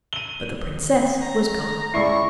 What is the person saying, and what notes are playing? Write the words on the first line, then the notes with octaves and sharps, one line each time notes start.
But the princess was gone.
D#7 G7
A#5
C#2 E4 D5 C#6 C7